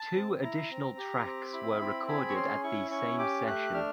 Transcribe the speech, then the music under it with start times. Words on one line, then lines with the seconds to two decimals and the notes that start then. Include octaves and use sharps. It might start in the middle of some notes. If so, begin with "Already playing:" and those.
Two additional tracks were recorded at the same session.
Already playing: A5
0.15 C4
0.43 E4 A#5
0.70 C4
0.98 G4
1.25 C4
1.53 E4 B5
1.81 C4
2.08 G#4 B5
2.29 C#6
2.36 C#4 C6
2.63 E4 C#6
2.91 C#4 C#6
3.18 G4 D6
3.46 A3 F#6
3.74 D4 F6